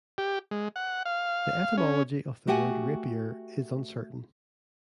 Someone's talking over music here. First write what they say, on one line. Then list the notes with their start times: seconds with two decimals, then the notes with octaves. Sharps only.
The etymology of the word "rapier" is uncertain.
0.18 G4
0.51 G#3
0.76 F#5
1.05 F5
1.78 C#4
2.47 A3 F#4 G4 F#5 G#5